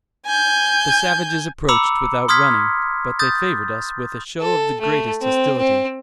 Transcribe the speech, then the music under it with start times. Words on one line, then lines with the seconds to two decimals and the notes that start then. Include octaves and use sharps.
The savages approached without running, but they favored us with a show of the greatest hostility.
0.26 G#5 G6
1.69 A#5 B5 D6 E6 C#7
2.28 C6 D#6 F6 G#6 B6
3.19 D#6 G6 A6
4.40 A4
4.81 A3
5.22 C4
5.58 C4